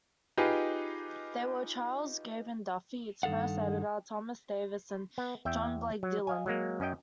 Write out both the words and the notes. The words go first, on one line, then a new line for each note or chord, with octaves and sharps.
They were Charles Gavan Duffy, its first editor; Thomas Davis, and John Blake Dillon.
D#4 F4 G4 G#4 B4
G2 D#3 A4 F5 F#5
B3
E2 E5 G5
F#3
D#5 F5 G#5
F#3 G#3 A#3
F#2 C#4 D#5 G5